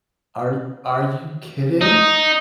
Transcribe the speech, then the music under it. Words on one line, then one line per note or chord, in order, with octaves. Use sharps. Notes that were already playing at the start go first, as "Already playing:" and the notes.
Are are you kidding?
D#4